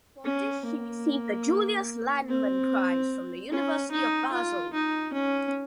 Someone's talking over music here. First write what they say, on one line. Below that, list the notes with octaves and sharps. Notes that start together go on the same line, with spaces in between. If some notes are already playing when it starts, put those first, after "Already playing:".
For this she received the Julius Landmann Prize from the University of Basel.
C#4
A#3
C4
C#4
D#4
F4
D#4
C#4